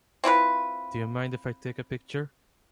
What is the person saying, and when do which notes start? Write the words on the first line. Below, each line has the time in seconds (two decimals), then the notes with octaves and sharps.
Do you mind if I take a picture?
0.24 C4 E4 F4 B4